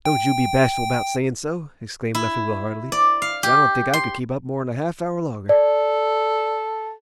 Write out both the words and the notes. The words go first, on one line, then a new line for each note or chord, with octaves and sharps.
"Don't you be bashful about sayin' so," exclaimed Leffingwell heartily, "'cause I don't think I could keep up more'n a half hour longer."
G5
E4
D5
F5
G4
C6
A4 D5